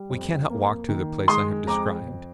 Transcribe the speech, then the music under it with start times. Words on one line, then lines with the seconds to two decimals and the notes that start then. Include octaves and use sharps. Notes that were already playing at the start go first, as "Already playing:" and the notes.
We cannot walk to the place I have described.
Already playing: G3
0.10 F2
0.50 A#3
0.89 D#3
1.28 G#3 C6 D#6
1.67 F2 A#5 D6
2.08 F2